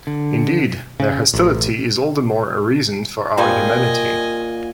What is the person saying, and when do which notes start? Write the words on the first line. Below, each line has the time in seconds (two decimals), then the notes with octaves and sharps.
Indeed their hostility is all the more a reason for our humanity.
0.07 D3
1.00 C#3
1.34 A1
3.37 A#2 F3 G3 C4 F#4 D#5 G#5